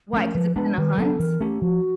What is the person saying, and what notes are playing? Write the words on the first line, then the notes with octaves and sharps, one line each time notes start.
Why, 'cause it's gonna hunt?
F3 A3 C#4 A#4
F3 B4
G#3 B3 D4 B4
D#3 B4
F#3 B3 D4 A4
E3 A#4
A3 C#4 G4
F3 F#4